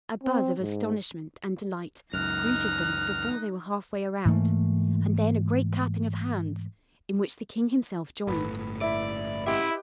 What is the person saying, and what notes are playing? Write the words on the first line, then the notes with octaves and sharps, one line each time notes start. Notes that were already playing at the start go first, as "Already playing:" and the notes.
A buzz of astonishment and delight greeted them before they were half way around, and then a great clapping of hands, in which the king himself joined.
C4
G#2
C#2 F#2 D#4 F6 F#6 A#6
G#2 E3 A3 A#3
G1 A2 B4
E4 D5 E5
E4 G4 D#5 E5 F#5 C6